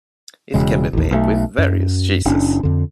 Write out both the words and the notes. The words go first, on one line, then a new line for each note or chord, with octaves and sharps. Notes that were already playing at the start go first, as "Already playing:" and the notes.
It can be made with various cheeses.
E1 C#3 G#3
A1 D#2
B1 F#3 A3
F#2
F#1 C#4 D4
F2 D3